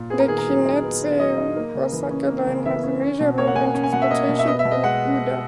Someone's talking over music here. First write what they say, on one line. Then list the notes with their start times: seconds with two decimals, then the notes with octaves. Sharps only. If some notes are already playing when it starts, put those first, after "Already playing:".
The Kintetsu Osaka Line has a major role in transportation in Uda.
Already playing: A#2
0.10 B3 G#4
0.20 A#4
0.28 D#3 G#4
0.38 A#4
0.47 F#3
0.65 D#4
0.84 B3
1.02 D#3
1.19 F#3 D#5
1.38 D#4
1.56 A#3
1.75 C#3
1.92 E3
2.11 C#4
2.29 A#3
2.47 C#3
2.66 E3 E5
2.83 C#4
3.02 C#4
3.20 B2
3.38 A#3 C#5
3.47 F#5
3.56 B2 G#5
3.66 G#5
3.74 C#4
3.84 G#5
3.92 B2 F#5
4.02 E5
4.11 A#3 D#5
4.29 B2
4.39 E5
4.47 B3 D#5
4.59 E5
4.65 B2
4.71 D#5
4.83 G#3 F#5